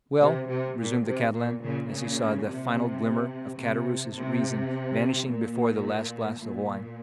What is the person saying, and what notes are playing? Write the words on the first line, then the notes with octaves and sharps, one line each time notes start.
"Well!" resumed the Catalan, as he saw the final glimmer of Caderousse's reason vanishing before the last glass of wine.
C3
C3
A#2
C3
A#2
A#2 C#3
A#2 C#3
C3
C3
C3
A#2
A#2